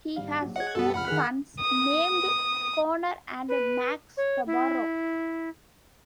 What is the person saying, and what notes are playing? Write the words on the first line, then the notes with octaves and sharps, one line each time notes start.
He has two sons named Connor and Max Tabarrok.
G#1 G3 F5
A#1 F#3 F#4
G#4 C#5 D#5 F#5 G#6
F#2 B2 G3 B3 A4
F1 C#2 F#5 B5 F6
D#3 G#4 A#4 F#6
D#6
B4
C#5
E4